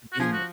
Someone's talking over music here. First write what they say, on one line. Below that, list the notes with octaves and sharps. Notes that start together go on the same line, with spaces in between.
you're being
F#4
F3 G#4
F#4